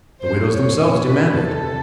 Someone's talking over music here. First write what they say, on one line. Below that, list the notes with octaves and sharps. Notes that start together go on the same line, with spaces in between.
The widows themselves demand it!
E2 B2 F#3 C5
C#5
A#2 F#3
B4
E2 C3 E3 G3 A4